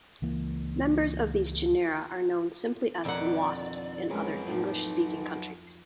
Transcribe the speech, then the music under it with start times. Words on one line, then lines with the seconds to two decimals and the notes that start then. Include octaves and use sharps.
Members of these genera are known simply as "wasps" in other English-speaking countries.
0.22 C#2 E3 A#3
3.05 F2 B2 D3 D#3 C#5 D5 F#5 A#5
4.10 F#3 G#3 C#4 A#4 B4
4.47 A2 A#3 D#4 A4